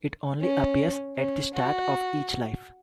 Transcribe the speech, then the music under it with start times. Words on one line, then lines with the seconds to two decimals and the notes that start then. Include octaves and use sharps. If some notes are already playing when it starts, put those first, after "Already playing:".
It only appears at the start of each life.
0.41 C#4
1.16 C#4
1.54 F#4